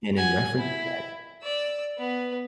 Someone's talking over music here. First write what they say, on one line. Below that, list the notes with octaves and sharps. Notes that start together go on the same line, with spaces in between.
And in reference to that,
F#5 G#5
E4
D5 E6
B3 B4